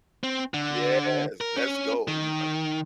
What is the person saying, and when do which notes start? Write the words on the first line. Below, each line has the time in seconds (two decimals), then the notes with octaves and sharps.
Yes. Let's go. You hu
0.24 C4
0.54 D3
1.41 A#4
1.56 C#4
2.08 D#3